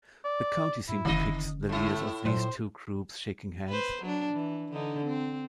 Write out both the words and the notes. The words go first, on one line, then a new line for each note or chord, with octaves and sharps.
The county seal depicts the leaders of these two groups shaking hands.
D5
G#2 E4
F1 D3 D#3 C#4 D#5
A2 A3 E4
A#2 F#3 C5
B4 C5
F#3 D4
E3
D3 D#4
C4